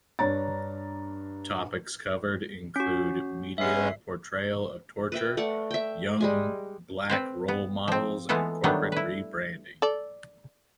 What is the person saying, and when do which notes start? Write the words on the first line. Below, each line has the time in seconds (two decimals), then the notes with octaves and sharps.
Topics covered included media portrayal of torture, young black role models and corporate rebranding.
0.19 G2 D4 C#5 A#5 A6
2.76 C#4 F#4
3.58 G#3 B3 C#4 E5 C7
5.12 B4 E5 G5
5.37 A3 D5 F#5
5.71 E5 G5
6.21 G3 G#3 G#5
7.10 C4 B4 C5
7.48 B3
7.88 F3 C4
8.29 E3 G#3 A3 B3 F4 A4
8.64 D#3 F#3 G3 A3 B3 D4
8.92 E4 B4
9.82 A4 D5